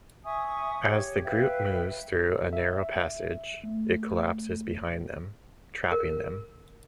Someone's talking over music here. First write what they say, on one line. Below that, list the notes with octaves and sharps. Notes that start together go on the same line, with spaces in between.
As the group moves through a narrow passage, it collapses behind them, trapping them.
E5 G#5 C#6 D#6
G4 C#5
B4 E5 F5 G5
E5
A3
A#4